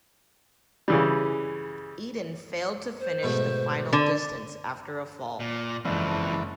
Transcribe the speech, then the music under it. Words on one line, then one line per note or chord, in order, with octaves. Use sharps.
Eden failed to finish the final distance after a fall.
C#3 E3 G3
C5
G#2 B2 A3
D3
A#2
F#1 F2 G#2 E3 D5